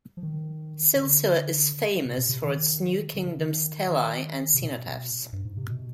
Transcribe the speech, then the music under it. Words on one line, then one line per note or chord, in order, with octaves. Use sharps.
Silsila is famous for its New Kingdom stelai and cenotaphs.
F3
D#3
D3
C3
B2
C3
D#3
D3
D3
D#3
D#3
C3
B2
G2
G#2
C3
B2